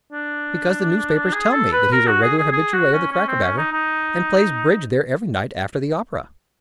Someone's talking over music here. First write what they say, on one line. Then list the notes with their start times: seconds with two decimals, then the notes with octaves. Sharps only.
Because the newspapers tell me that he is a regular habitue of the Crackerbaker and plays bridge there every night after the opera.
0.13 D4
1.33 G#4
1.52 A4
1.73 B4
1.92 A#4
2.07 F#4
2.23 G#4
2.38 G#4
2.53 G#4
2.73 F#4
2.93 C#4
3.13 C#4
3.28 C4
3.43 C#4
3.58 D#4
3.72 D#4